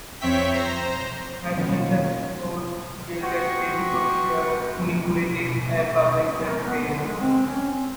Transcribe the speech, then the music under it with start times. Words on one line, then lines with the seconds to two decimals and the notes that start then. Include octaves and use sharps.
Her pieces exposed Gilded Age social inequities and public health failures.
0.20 F2 C4 C#5 E5 G5 B6
0.54 C5 A#5
1.57 B2 D#3 A#3 C#4 F4
3.22 F#4 D#5 F#5 G5 C6 C#6
6.45 A#4
6.65 B3
6.87 D3
7.06 G#3
7.21 C4
7.46 C#4
7.68 C4